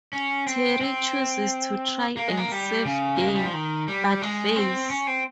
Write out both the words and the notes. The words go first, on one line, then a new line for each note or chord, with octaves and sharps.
Terry chooses to try and save Day but fails.
C#4
C4
C4
A#3
G#3
A#3
G3
C#3
A#3
G#3
G3
F3
D#3
G3
G#3
C4
C#4
C4